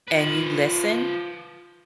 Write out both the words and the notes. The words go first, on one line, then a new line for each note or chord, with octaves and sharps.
and you listen
F3 B4